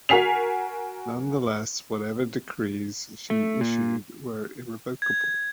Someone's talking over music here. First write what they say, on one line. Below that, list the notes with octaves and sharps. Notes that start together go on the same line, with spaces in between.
Nonetheless, whatever decrees she issued were irrevocable.
F#4 A#4 G#5 B6 C7 F7
A3
A#2
G#6